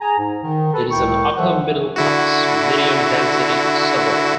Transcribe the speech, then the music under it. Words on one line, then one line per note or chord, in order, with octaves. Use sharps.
It is an upper middle class, medium-density suburb.
G#4 G#5 A#5
G#2
D#3
A4 B4
C#2 A2 E4 A#4 G5 C#6
E3 F#3 A4 C5 E5 F#5
D3 E4 F#4